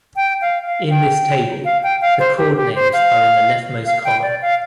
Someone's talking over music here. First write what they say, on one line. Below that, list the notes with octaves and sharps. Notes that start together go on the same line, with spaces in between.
In this table, the chord names are in the leftmost column.
G5
F5
F5
G5
F5
G5
F5
C5
G4
G4
C5
F5
F5
G5
D5
F5